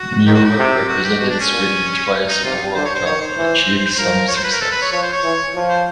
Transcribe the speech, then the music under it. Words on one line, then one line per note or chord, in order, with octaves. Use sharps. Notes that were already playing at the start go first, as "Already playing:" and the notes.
Mueller represented Sweden twice in the World Cup and achieved some success.
Already playing: F#4
D#3 G4
F#4
G4
C3
F#4
G4
B2 F#4
D4
C#4
A#2
D#4
C3 F4
D3 C5
C#5
C5
D#3 C#5
C5
E3
F3 A#4
C#5
C5
B4
A#4
A4
B4
C#5
F3 C#5
C5
C#5
E3
F3
C5